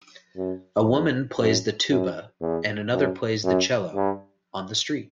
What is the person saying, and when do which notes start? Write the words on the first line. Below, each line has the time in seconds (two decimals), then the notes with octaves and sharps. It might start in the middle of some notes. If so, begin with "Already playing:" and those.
A woman plays the tuba and another plays the cello on the street.
0.36 F#2
0.88 E2
1.39 F#2
1.90 F#2
2.41 E2
2.93 F#2
3.44 F#2
3.95 G2